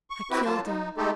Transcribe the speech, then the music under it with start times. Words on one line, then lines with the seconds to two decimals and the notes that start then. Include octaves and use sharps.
I killed him.
0.10 C#6
0.31 C4 E4 F#4 G4 B4
0.45 F#3 A#3 F4 A5
0.65 D#4
0.97 G#3 A3 D#4 G4 A4